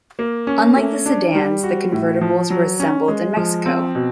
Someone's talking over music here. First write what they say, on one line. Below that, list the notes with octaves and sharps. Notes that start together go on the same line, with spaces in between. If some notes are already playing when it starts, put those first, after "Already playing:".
Unlike the sedans, the convertibles were assembled in Mexico.
A#3
C#4
A3
D4
G3
F#4
A2
F3
F#3
C#4
G#3
F3
C4
B2